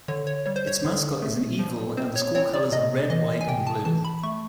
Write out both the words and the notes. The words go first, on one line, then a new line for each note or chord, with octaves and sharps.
Its mascot is an eagle, and the school colors are red, white and blue.
D3 C#5
C#5
G3 C#5
C5
C#5
D3
A3
F3
C4 C5
C#5
C4 C#5
D5
C3 D#5
E3 D#5
G#5
C3 G5
A5
E3 A5
B5
A3 C#6